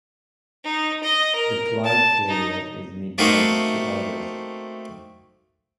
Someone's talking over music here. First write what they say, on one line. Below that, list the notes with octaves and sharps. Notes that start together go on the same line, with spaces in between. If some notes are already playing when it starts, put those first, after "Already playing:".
The flight period is mid May to August.
D#4
D#5
A#4
A5
D#4
A3 A#3 C4 D#4 F#4